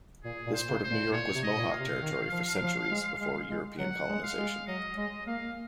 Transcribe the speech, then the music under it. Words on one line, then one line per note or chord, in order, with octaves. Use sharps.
This part of New York was Mohawk territory for centuries before European colonization.
A#2 G#4
A#2
C5
C#3
C5
A#2
A#2 C#5
C3
D#5
A#2
F5
C3
D#3
F3
F#3
F3
G#3
G#3
G#3
F#3 F#5
G#3
F5
G#3
F#3 D#5
G#3 D#5
A#3 F5